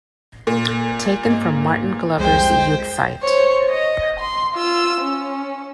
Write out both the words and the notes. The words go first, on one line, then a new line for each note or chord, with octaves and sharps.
Taken from Martin Glover's Youth site.
A#2
G#2 A#3
C2 F2 G#3 C5 G5
C5 C#5
D#5
C6
F4 E6
C#4